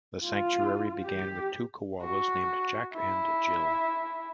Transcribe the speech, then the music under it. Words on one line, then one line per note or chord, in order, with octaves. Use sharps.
The sanctuary began with two koalas called Jack and Jill.
F4
G4
F#4
E4